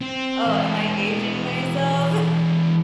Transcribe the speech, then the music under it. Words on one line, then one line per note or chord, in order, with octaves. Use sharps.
Oh, am I aging myself?
C4
E3 G#3